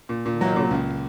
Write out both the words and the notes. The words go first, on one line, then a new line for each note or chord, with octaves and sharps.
"No, madam."
A#2
A#2
F#3
A#2
C#2